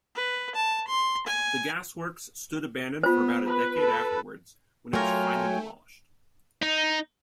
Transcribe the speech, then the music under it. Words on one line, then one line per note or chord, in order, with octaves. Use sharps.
The gasworks stood abandoned for about a decade afterwards, when it was finally demolished.
B4
A5
C6
G#5
B3 F4 C5
B4
A4
F#3 A3 F4 A#4 C#5 G5 G#5
D#4